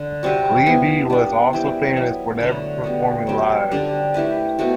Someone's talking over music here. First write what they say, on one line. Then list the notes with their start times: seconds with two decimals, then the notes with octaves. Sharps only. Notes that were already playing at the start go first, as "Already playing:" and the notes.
Leevi was also famous for never performing live.
Already playing: D3
0.23 C3 G3 C4 F#4
0.66 E3 B3 E4
1.10 G3 B3 D4
1.53 E3 G3 C4
1.96 F#3 B3 E4
2.40 D3 F#3 A3
2.84 G3 B3 F#4
3.27 F#3 C4 G4
3.71 D3 G3 D4 A4
4.14 A3 E4 G4 B4
4.59 B2 A3 C4 F#4